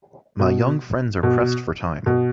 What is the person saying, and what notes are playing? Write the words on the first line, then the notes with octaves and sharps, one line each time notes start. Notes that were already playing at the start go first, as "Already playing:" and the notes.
My young friends are pressed for time.
B2
B2
B2